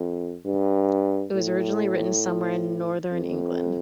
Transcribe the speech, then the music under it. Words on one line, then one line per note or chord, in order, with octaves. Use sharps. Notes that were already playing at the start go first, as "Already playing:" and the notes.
It was originally written somewhere in northern England.
Already playing: F2
G2
A2
F2